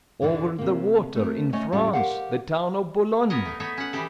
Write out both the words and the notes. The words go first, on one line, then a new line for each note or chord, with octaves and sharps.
"Over the water--in France--the town o' Bolone."
E2 B2 D3 E3
C3 A#3
A3 C4 A#4
A3 C#4 C#5 D#5 G#5
E2 A2 G3 C#4 F4 G4
G4 A#4 C5 F5 F#5
B3 A#4 C#5 D#5
A3 D#4
A3 B3 D#4 C#5 E5
C#4 F#5
B2 E3 G3 D#4 G4 A4